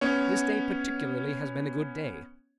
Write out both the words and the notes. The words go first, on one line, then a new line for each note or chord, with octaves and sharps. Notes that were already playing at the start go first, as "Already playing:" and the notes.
This day particularly has been a good day.
B3 C#4 C#5